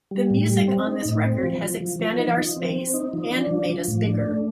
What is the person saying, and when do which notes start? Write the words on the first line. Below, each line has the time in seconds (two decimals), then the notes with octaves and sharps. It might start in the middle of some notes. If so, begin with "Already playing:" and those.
The music on this record has expanded our space and made us bigger.
0.11 G3
0.30 A2
0.49 G3
0.68 C4
0.87 D#4
1.05 A2
1.24 C4
1.43 F3
1.62 F3
1.81 F3
2.00 F3
2.18 D#4
2.37 F3
2.56 C4
2.75 C4
2.94 D#4
3.13 F3
3.31 D4
3.51 F3
3.70 F3
3.88 A2
4.07 D4
4.26 A3